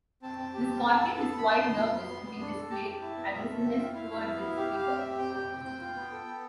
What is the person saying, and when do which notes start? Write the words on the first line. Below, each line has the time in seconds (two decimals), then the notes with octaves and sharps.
This scorpion is quite nervous and can display aggressiveness towards its keeper.
0.22 C4 A5
0.38 C4
0.54 G4
0.69 C4
0.85 A4
1.00 B3
1.16 A4
1.32 B3
1.38 B5
1.47 B3 C6
1.62 B3
1.77 F4
1.93 B3
2.08 B3
2.24 B3
2.40 D4
2.55 A4
2.70 G4 A5
2.85 G4
3.02 E4
3.16 B3
3.33 F4 E5
3.48 A4
3.64 C4
3.78 F4
3.94 E4 F5
4.10 E4
4.25 B3
4.41 E4
4.56 G4 F5
4.72 G4
4.77 F5
4.87 C4
4.97 E5
5.03 G4
5.18 C4 G5
5.34 G4
5.50 C4
5.64 C4
5.80 F4
5.96 B3
6.12 A4
6.26 B3